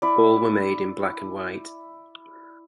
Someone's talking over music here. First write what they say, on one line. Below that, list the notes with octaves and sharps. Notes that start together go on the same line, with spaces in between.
All were made in black-and-white.
E4 D5